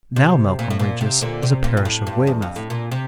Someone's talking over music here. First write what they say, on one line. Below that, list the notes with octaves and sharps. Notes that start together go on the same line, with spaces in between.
Now Melcombe Regis is a parish of Weymouth.
C3
A#2
A2
A#2
C3
A#2 D3
C3
A#2
G2
A2
G2
E2
F2
A2
A#2
C3